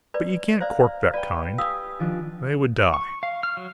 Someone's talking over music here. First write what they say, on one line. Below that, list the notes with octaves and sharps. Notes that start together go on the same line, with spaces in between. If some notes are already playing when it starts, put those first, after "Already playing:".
But you can't cork that kind; they would die.
B4 D5
C5 D5 F5 A#5
B4 D5 G5
G4 F5 G#5 D#6 E6
D#3 F3 D4
C#6
F5
F6
F#3